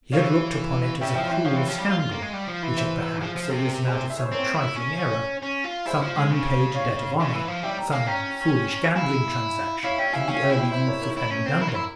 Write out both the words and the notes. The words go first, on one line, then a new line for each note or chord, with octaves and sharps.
He had looked upon it as a cruel scandal, which had perhaps arisen out of some trifling error, some unpaid debt of honour; some foolish gambling transaction in the early youth of Henry Dunbar.
E3 C#5 F5
C#3 E5 G5
F3 E5 G5
E3 E5 G5
F3 C#5 F5
E3
F3
G3
F4
F4
A#3
G#3
G3
F3
E3
C5 E5
F3 G#4
F3
C3
A#4
G#4 C5
E5
C#5
C5
C4 A#4 C#5
E4
C#4
C#4
F4
E4 G#4 C5
F3
G#3
C#3
C#5 F5
C#3
E3
F3
G3 E5 G5
G5 A#5
A#3 F5 G#5
C#4 G5 A#5
E4 F5 G#5
E4 C#5 F5
C#4 E5 G5
E4 F5 G#5
C#4 F5 G#5
E5 G5
E4
E5 G5
C5 E5
A#4 C#5
A#4 C#5
E4
C#4
C4
E4 A#4
F4
E4